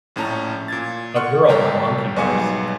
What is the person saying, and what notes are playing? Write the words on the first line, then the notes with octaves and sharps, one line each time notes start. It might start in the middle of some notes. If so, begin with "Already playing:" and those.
A girl on monkey bars.
A#1 A2 C#4 A5 A#5
A#2 G#6 A6
F#5 C6 C#6 F6 F#6
G1 G3 G4 A4 A#5
B1 G#2 G3 B3 G#5 C#7